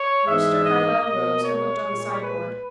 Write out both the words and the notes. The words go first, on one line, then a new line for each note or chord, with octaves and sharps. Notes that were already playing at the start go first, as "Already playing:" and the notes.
Mr. Carlyle rose and looked on the side-board.
Already playing: C#5
G#2 E3 G#3 E5
D#5
B2 A#3 D#5
C#5
A#2 G#3
B4